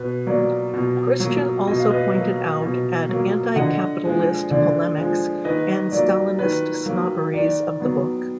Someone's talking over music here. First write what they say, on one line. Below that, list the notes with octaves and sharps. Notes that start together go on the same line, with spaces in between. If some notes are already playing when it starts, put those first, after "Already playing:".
Christian also pointed out at anti-capitalist polemics and Stalinist snobberies of the book.
Already playing: B2 B4
F#3 A#3 D5
B2
F#3 A#3
B2 D#5
F5
B4 D#5
F#3 A#3
B2
F#3 A#3
D3 D#5 F#5
F3 G#3
D3 D5
F3 G#3
D#3 B4 D#5
F#3 A#3 D5
D#3 B4
F#3 A#3
D#3 D5
F#3 B3